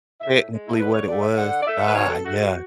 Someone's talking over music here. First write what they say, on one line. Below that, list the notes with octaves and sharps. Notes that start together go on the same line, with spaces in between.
Technically what it was. Ah, yeah.
A2 E5
E5
G#3
E4
A4
D3 B4
C#5
A3 D5
E5
D3 F#5
D5
A3 E5
A4
B4
B2 C#5
A4
A3 F#4
F#4